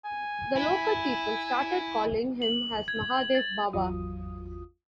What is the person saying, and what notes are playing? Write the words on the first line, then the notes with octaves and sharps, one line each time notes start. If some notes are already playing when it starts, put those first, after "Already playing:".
The local people started called him as 'Mahadev Baba'.
G#5
E4
F#7
G#6
A6
G#1 E2 F#3 F4 D#6